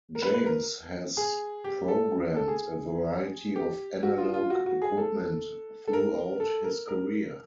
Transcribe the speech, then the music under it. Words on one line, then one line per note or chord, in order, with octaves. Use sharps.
James has programmed a variety of analogue equipment throughout his career.
A#4
B4
B4
A#4
G#4
G4
A4
A4
G#4
G4
F#4
F4
F4
F#4
F#4
G#4
A4
A4
A#4
A4
A#4
A#4